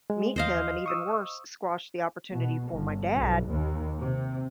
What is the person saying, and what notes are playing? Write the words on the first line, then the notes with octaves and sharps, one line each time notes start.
meet him, and even worse, squash the opportunity for my dad
G#3
D#2 C5 D#5 F5
C#6 D#6 E6
B2
G1
B1
D#2
C3